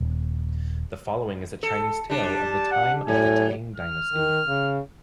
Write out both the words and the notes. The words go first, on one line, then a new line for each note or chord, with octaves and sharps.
The following is a Chinese tale of the time of the Tang dynasty.
D#1
A4
G3 D4 A5
F#5
A2 F#3 G#5
F6
D#3
C#3